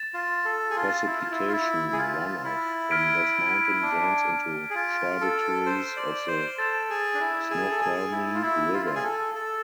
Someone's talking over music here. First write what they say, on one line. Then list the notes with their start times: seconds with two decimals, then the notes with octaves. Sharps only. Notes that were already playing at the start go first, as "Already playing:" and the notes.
Precipitation runoff from this mountain drains into tributaries of the Snoqualmie River.
Already playing: A6 E7
0.14 F4
0.45 A4
0.70 G#4
0.76 F4
1.06 E4
1.19 F4
1.32 E4
1.48 F4
1.53 E4
1.93 G#4
1.98 F4
2.44 E4
2.91 F6 G#6 B6 D7
3.82 D4
4.70 G#4
4.75 F4
5.21 A4
5.66 C5
5.97 D5
6.27 C5
6.58 A4 A6 E7
6.90 G#4
7.14 D4
7.20 E4
7.50 G#4
7.71 A4
7.81 G#4
8.12 E4
8.34 F4
8.42 E4
8.73 F4
8.86 F4
8.95 G#4
9.03 A4
9.35 A4